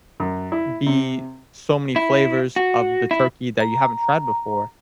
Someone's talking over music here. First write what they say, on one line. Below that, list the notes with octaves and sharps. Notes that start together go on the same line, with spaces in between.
be so many flavors of the turkey that you haven't tried before,
F#2
E4
C3
E4
F#4
E4
A#5